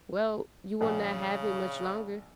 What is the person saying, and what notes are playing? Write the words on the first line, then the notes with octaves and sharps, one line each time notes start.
"Well, you will not have it much longer."
A#1 C#3